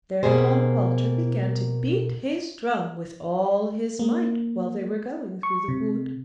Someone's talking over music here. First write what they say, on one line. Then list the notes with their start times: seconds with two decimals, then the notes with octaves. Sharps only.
Thereupon Walter began to beat his drum with all his might while they were going through the wood.
0.23 B2 A#3 G4 G#4 C5
3.99 A#3
5.43 C#6
5.68 C3